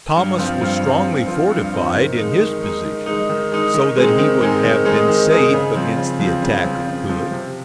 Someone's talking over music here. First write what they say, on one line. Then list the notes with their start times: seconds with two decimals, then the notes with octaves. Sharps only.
Thomas was strongly fortified in his position, so that he would have been safe against the attack of Hood.
0.16 G2
0.38 F3 C4 F4
0.61 G2
0.83 F3 C4 F4
1.06 G2
1.27 F3 C4 F4
1.50 G2
1.72 F3 C4 F4
1.95 D#3
2.17 G#3 D#4
2.39 D#3
2.62 G#3 D#4
2.85 D#3
3.06 G#3 D#4
3.29 D#3
3.52 G#3 D#4
3.74 D#3
3.96 G#3 C4 D#4 G#4
4.18 D#3
4.41 G#3 C4 D#4 G#4
4.63 D#3
4.85 G#3 C4 D#4 G#4
5.08 D#3
5.30 G#3 C4 D#4 G#4
5.53 C#3
5.75 F3 C4
5.97 C#3
6.20 F3 C4
6.42 C#3
6.64 F3 C4
6.86 C#3
7.10 F3 C4
7.32 C3